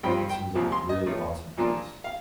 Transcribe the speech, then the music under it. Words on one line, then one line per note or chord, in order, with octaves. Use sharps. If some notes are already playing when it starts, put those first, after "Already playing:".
It seems like a really awesome place.
G2 F3 C4 F4 G5
G5
C2 A#2 F3
C6
D#5
A2 F3 A3
A#2 F3 A#3 D4 F4
F5